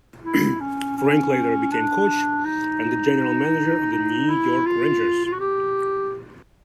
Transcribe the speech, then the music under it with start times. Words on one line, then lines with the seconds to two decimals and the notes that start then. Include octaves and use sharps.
Frank later became coach and the general manager of the New York Rangers.
0.24 E4
0.60 C#4
0.97 C#4
1.71 D4
2.45 D#4
3.92 D#4
4.29 E4
4.66 F4
5.25 F4
5.32 F#4
5.40 G4